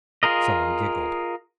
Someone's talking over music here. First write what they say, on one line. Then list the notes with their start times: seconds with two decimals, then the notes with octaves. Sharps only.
Some one giggled.
0.23 F4 G#4 A#4 D#5